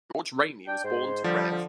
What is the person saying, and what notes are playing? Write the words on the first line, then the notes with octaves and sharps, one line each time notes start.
George Rainy was born to Rev.
D4 G5
G#2 C5
D3 F3 G3
D3